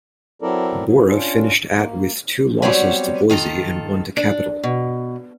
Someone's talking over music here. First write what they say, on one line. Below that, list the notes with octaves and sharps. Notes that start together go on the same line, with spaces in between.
Borah finished at with two losses to Boise and one to Capital.
F#3 C4 E4 A4 A#4 D5
F#3
C#4 D4 F4
A#3
F#3 G3 B3 C4 C#5 D5
D#3 F4 A4
D4
B2